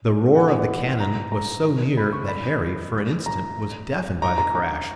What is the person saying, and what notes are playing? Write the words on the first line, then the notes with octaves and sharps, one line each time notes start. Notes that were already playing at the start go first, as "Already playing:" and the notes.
The roar of the cannon was so near that Harry, for an instant, was deafened by the crash.
F#5
A#5
A#5
B5
C#6
B5
A#5
A#5
A#5
A#5